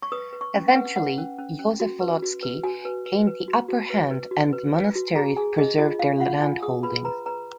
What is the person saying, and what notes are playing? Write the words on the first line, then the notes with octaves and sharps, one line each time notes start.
Eventually, Joseph Volotsky gained the upper hand and the monasteries preserved their landholdings.
C#6
B4 D#6
B4
C#6
C#4
F#5
B4
B4 F#5
C#4
C#4
C#4
F#4
B4
F#4
B4
F#4 G#5
B4
B4
B4
F#4
F#4
B4
B4
F#4
B4
B4
F#4
G#4 A#5
G#4 G#5
G#4 D#5
F4 D#5
F4 F5
F4 F#5
F4 G#5
G#4 D#6
B4 B5
B4 A#5
B4 A#5